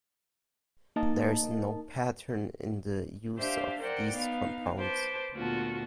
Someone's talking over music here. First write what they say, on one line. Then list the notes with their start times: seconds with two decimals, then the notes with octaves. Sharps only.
There is no pattern in the use of these compounds.
0.96 A#3 D#4 A#4 D#5 A5
3.37 D4 G4 C5 E5 F5
3.80 A#4 C5 D5 F#5 G5
4.13 B3 D#4 F5
4.79 B4 C5 A5 D6
5.33 D2 A#2 B3 F4 F#4 A5